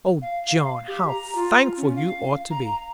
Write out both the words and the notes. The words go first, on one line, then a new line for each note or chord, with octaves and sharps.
'Oh, John, how thankful you ought to be!
F5
F5
G4
A#5
F4
C#4
F5
A#5